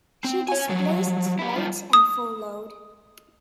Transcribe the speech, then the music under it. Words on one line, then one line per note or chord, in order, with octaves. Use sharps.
She displaced light and full load.
C4
C#5 G#5
F3 F#3
E4 G4
G3 F4
D#6